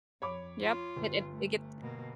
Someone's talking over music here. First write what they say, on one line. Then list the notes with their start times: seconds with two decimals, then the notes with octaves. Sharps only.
Yep, it it it gets
0.22 F2 C#5 B5 D6
0.62 F4
0.96 G1
1.31 A3
1.82 B2 A#3